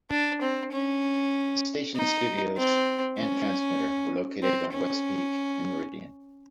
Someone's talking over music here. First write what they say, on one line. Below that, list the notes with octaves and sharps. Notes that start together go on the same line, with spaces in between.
The station's studios and transmitter were located on West Peak in Meriden.
D4
C4
C#4
D#4
C4
C#4
C4
C#4